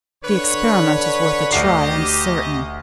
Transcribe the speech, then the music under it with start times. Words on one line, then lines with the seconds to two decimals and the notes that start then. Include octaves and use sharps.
The experiment is worth a try I'm certain.
0.24 D3 B4 C#5
1.52 D2 G4 D#5 F#5 C7